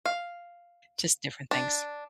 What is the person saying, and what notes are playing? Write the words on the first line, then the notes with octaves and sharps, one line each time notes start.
just different things.
F5
D4